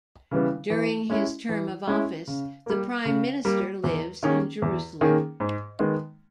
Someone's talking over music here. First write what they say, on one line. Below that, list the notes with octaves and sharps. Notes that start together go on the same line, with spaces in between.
During his term of office, the prime minister lives in Jerusalem.
C#3 E3 G3 B3
E3
G#3 C#4 E4
E3
G#3 C#4 E4
C#3
G3 A#3
C#3
G3 A#3
E2
D#3 A#3 C#4 G#4
E2
D#3 A#3 C#4 G#4
G#2
D#3 G#3 B3